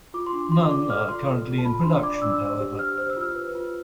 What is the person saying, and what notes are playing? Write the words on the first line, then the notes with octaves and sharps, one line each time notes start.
None are currently in production however.
F4 D6
C6
D4
F4 C6
D5 D6
A4 F6
F4 C6
A4
F4
A5
F4 B5
D4 C6
D5 D6
D4 E6
C5
G4
G4 F6
C5 F6
E6
F4 F6
B4
F4